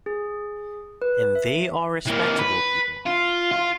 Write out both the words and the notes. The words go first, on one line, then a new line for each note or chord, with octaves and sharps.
And they are respectable people.
G#4
B4
E5
E3 A#3
B4
F4
F4